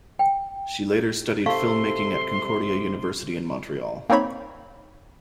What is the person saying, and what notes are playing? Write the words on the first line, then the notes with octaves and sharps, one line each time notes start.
She later studied filmmaking at Concordia University in Montreal.
G5
C3 A4 F5 C6 C#6
A#3 C4 D#4 C#5 B5